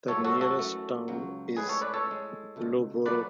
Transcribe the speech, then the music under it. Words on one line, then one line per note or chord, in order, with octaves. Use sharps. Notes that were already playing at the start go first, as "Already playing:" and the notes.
The nearest town is Loughborough.
G#2 F#3 A3 A4 C#5
F#4 A4
F#4 A4
F#2 E3 A3
C#2 C#3 F#3
A2 G#3 G#4 B4
A4 C#5
B4 D5
A4 C#5
A2 G#3
C#2 B2 A3
F#3 A3 B4 D5